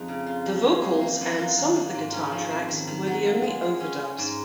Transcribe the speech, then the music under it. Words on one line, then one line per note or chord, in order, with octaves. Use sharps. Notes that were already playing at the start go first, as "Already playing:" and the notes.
The vocals and some of the guitar tracks were the only overdubs.
Already playing: F2 G#3 D#4
C#3
F4
F3
G#4
A#3
A#3
F#2
F4
D#3
A#3
G#2
C#4
F3
C4
D#3
D#3
F#3
F4
G#3
G#3
C#4
G#3
G#2